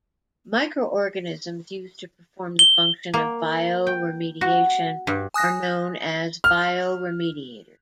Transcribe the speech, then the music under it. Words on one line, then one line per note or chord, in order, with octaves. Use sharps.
Microorganisms used to perform the function of bioremediation are known as bioremediators.
G7
A#3
G5
F#4
G2
G#5 D#6 F#6 A#6
F6